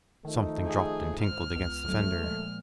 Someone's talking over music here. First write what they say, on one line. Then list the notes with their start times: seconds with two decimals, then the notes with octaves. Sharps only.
Something dropped and tinkled against the fender.
0.25 D#3 F3 A3 D#4
0.66 G#4 A4 D5 F5
1.22 G#2 F4 C5 F6
1.56 C#2 B3
1.88 D3 F#3 A3 C4
2.23 A#2 F3 G#3